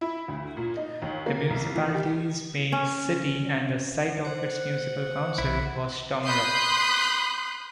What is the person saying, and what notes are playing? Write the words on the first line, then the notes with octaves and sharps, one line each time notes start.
The municipality's main city and the site of its municipal council was Tommerup.
E4
D2
A#2
D#4
D#2
A#3
C2
E3
G4
C#4
C5 F#5
B1 E3 E4
B5 C6 D#6 F#6 G6 C7